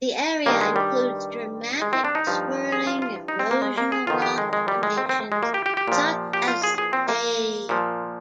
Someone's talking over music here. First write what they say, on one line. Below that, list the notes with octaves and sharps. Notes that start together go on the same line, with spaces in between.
The area includes dramatic swirling erosional rock formations such as The Wave.
G2 D#3 A#3
G#3
G3
G#3
C4
D4
D#4
G2 F3
G#4
F4
F4
D#4
C4
A#3
G#3
A#3
G#4
F2 D#3 F4
G4
G#3
G#3
G3
G#3
C4
C4
G#3
A#3
G4
G4
G4
A#2 F3
G4
F4
G#4
G#4
C4
A#3
A#2 F3